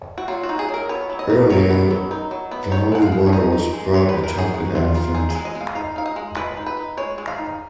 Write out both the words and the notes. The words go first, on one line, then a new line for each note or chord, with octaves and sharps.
Earlier the holy water was brought atop an elephant.
F#4
F#3 F4
F#4
D#4
G#4
F#3
A#4
B3 C#5
F#3
D#5
D#4
F#3 C#5
B3
F#3
D#4
F#3
B3
D#4 C#5
G#3 F#5
F5
G#3
C#5
D#4 D#5
D#4
G#3
G#3 C#5
D#4 B4
A#4
D#4 G#4
G#3 F#4
G#3 F4
D#4 F4
D#4 G#4
G#3 G#4
D#5
G#3
F5
D#4 F5
D#4 F5
D#5
G#3
G#3 B4
D#4
B4
D#4
G#3 C#5
G#3
F5
D#4